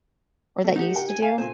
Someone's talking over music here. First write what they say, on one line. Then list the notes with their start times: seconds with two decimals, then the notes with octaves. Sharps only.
Or that you used to do?
0.64 A3 F#4
0.76 D#4 G4 F#5
0.95 A#4 G5
1.07 G#5
1.22 F5 G#5
1.38 A#2 A3 C5 G#5